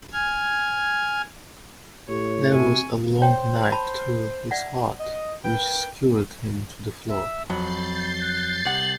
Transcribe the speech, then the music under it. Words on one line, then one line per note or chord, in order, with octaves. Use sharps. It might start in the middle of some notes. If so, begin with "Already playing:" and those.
There was a long knife through his heart which skewered him to the floor.
G#5 F6 G#6
A2 G4 C#5
C3 F#4 G#5 C#6
C5 C#5 G5
A5 B5
D5 E5 F#5
D#5
A#4 B4 G5
E5
F2 F#3 B5 G6 A6 C7
F#6
C2 F#5 F#7